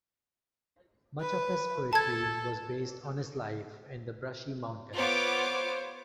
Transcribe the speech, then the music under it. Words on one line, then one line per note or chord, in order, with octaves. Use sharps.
Much of his poetry was based on his life in the Brushy Mountains.
B4
A4 A5 G#6
B3 F4 C5 C#5 D6